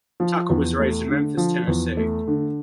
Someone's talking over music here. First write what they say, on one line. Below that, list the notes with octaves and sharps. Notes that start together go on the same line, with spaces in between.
Tucker was raised in Memphis, Tennessee.
F3
E2
A3
D3
F3
E2
A3
D3